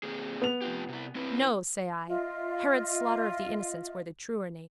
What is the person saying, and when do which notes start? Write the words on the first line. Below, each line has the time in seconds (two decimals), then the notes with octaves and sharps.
No, say I! Herod's slaughter of the innocents were the truer name.
0.03 A#3 C4 G#4
0.42 B3 F7
0.61 F2 F4 G4
0.88 C3 E4
1.15 C4 E4 B4
2.08 F4 D#5 E5